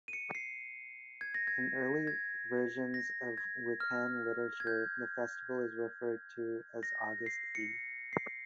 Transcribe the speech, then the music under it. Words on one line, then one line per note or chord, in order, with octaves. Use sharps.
In early versions of Wiccan literature the festival is referred to as "August Eve".
D#7
C#7
C7
G#6
A#6
G#6
G#6
A#6
G#6
F6
G#6
G6
A#6
C7
C#7
C7